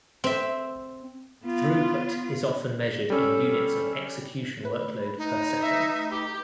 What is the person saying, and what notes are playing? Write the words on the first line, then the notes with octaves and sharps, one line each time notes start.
Throughput is often measured in units of execution workload per second.
C4 E5
B3 F4
G3 C#4 A4
A3 B4
D#4
E5
G4